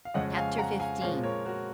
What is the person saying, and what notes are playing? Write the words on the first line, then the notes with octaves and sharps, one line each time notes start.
Chapter XV.
F5
F2 C#3 G#3 C#4 D#5 F#5
F5 G#5
F#5 A#5
F5 G#5
A#2 F3 G#3 C4 C#5 F5
A#4 C#5
F#4 A#4